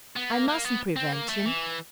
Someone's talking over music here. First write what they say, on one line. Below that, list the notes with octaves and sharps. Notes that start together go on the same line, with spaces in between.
I mustn't prevent him.
B3
A#3
A#3
B3
C4
A#3
A3
E3